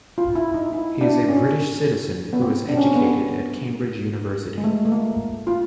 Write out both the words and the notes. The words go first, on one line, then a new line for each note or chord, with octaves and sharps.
He is a British citizen who was educated at Cambridge University.
F4
E4
D#4
E4
D4
C#4
B3
C4
D4
C#4
C4
B3
G#3
A3
A3
A#3
F4